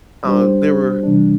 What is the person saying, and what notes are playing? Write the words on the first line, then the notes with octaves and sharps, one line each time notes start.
um, there were
G3 D4 G4 C5
C3 E3 G3 D4